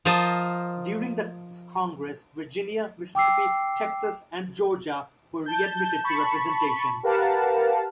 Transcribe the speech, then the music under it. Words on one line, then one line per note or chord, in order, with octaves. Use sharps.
During this Congress, Virginia, Mississippi, Texas, and Georgia were readmitted to representation.
F3 F4 A#4 C5 D#5 A5
G5 D6 E6 C7
A5 G6
A5 B5 C#6
G4 A#4 B4 F5 F#5 A5